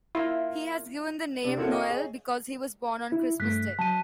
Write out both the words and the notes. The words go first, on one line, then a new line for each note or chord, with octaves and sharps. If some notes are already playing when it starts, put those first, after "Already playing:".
He was given the nickname "Noel" because he was born on Christmas Day.
A#3 E4 F4
C3 D4
A#3 C4 E4 F#4 A4 C#5
D#5 G5 C#6
G#4 C#5 D#5
E4
G2 A3 F#6 B6
F#3 A5 D#7